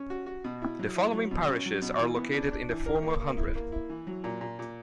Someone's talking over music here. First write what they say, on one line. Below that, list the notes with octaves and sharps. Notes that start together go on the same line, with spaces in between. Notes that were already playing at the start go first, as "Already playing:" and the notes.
The following parishes are located in the former hundred.
Already playing: C#4
F#4
F#4
B2
E4
F#3
E4
F#3
B2
C#4
F#3
B2
E3
B3
D4
D4
E3
A#4
A#3
A#3
E4
A#3
E4
E3
F#3
A#2
A#2
A#2